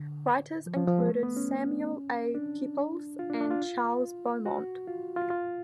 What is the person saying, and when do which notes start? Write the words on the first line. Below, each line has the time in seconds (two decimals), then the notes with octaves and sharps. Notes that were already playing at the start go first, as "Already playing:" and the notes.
Writers included Samuel A. Peeples and Charles Beaumont.
Already playing: D3
0.66 F3
0.77 F3
0.87 F3
0.98 G#3
1.09 A3
1.23 B3
1.37 C#4
2.35 D4
3.19 F4
3.30 D4
3.41 D4
3.51 F4
4.46 F#4
4.87 F4
5.16 F4
5.30 F4